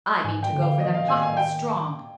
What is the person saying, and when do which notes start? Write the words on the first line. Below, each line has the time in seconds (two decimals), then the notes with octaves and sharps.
I mean to go for them hot and strong.
0.24 G#2 G#5
0.43 G5
0.52 D3
0.62 F5
0.80 D#3 D#5
0.89 F3
0.94 F5
0.98 D#3
1.08 G#5
1.22 G#5
1.37 G5